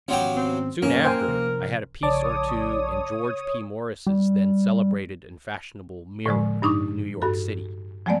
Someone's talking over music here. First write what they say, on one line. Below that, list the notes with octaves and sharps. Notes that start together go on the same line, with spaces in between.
Soon after, I had a piece or two in George P. Morris's then celebrated and fashionable "Mirror," of New York city.
G#1 F3 F#3 B3 C#4 G4
C4
F#2 A#2 A#3 C#4 A#4
C5 G5 G#5
C3 F3
A#1 C#3 C#5 D5 A5 D6 D#6
G3
A2 D3 F3 G#3
G2 D4 D#4 C#6 D6
G2 F#4 A4
F3 F#3 G#3 A3 B3 D5